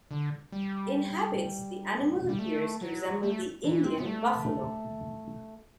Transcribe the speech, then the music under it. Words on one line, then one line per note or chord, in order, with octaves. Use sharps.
In habits, the animal appears to resemble the Indian buffalo.
D3
G3
G3
A3
F#3
A3
E3
C4
B3
A3